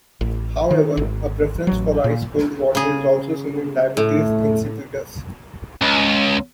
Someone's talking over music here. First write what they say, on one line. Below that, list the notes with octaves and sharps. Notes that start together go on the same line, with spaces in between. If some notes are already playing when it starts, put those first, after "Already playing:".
However, a preference for ice-cold water is also seen in diabetes insipidus.
A1
D#3
G#1
A1 F#3
A#2
C#3 G#4
A2 A3
C#2